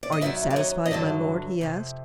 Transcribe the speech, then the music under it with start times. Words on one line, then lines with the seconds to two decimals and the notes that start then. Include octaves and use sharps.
"Are you satisfied, my lord?" he asked.
0.03 D5
0.12 D#5
0.21 F#2 D#3 F#3 D5 E5
0.50 D5
0.56 C#5 D#5
0.85 D#5
0.91 G2 D3 F#3 D5 E5
1.61 F2 C3